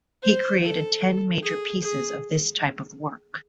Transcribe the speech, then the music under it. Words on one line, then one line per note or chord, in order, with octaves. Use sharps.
He created ten major pieces of this type of work.
C5
A4
G#4
G#4